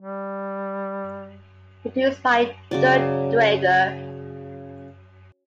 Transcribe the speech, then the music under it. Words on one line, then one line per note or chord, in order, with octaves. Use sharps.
Produced by Dirk Draeger.
G3
C#3 F#3 D5